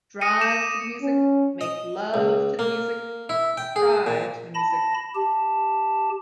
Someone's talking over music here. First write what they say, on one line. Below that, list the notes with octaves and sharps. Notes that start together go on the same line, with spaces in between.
Drive to the music, Make love to the music, cry to the music.
D#6 A#6 C#7 D#7
D6 E7
C#4
D#5
C#2
A#3
E4
G5
G#4
A#2
A5 B5 A#6
G4 A5